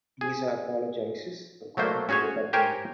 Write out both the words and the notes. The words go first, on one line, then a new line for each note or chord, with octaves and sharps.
Lisa apologizes for calling him a baboon.
G#4
F#3 A3 A#3 C5
C#4 F#4 G#4 C5 C#5
G4 A#4 C5 C#5 G5 G#5